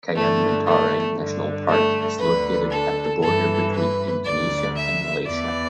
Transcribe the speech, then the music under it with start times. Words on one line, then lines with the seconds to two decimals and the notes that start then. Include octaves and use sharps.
Kayan Mentarang National Park is located at the border between Indonesia and Malaysia.
0.15 G2 D3 A3
0.67 A3
1.18 G2 D3
1.68 A3
2.20 D2 D3 B4
2.71 A4
3.22 G2 E3 A4
3.73 B4
4.25 D2 D3 D5
4.75 E5
5.26 E2 E3 D5